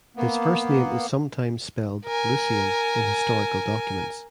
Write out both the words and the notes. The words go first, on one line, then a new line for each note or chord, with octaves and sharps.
His first name is sometimes spelled Lucien in historical documents.
A#3 B3
A#4 G#5